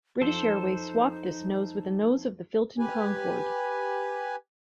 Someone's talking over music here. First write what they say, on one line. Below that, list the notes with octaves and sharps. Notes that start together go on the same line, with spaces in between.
British Airways swapped this nose with the nose of the Filton Concorde.
F2 F3 D#4 A4 C5
G4 B4 G#5